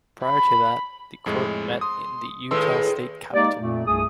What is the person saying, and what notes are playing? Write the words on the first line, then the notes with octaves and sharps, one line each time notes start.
Prior to that, the court met in the Utah State Capitol.
B5
F2 A2 G#3
C6 D#6
A2 D#3 G#3 A4 B4 C6 E6
G#3 A#3 D#4 G4 D5
F2 A#2 A3
C2 G2 A3 G#4 D#6